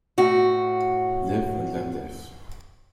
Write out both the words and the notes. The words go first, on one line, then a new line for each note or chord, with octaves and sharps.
Live and let live.
A2 F#4